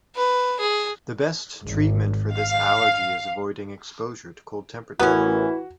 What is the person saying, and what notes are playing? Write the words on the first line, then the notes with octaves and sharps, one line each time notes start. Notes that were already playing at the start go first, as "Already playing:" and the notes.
The best treatment for this allergy is avoiding exposure to cold temperature.
B4
G#4
G#1
F5
A1 E3 B3 C#4 E4 F#4 A#4